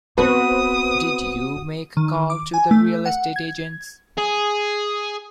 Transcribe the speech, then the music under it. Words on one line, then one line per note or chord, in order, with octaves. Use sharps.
Did you make a call to the real estate agents?
B3 C4 F#4 B4 C5 D#6
D#3
D6
G#5
A3
F#5
G#6
G#4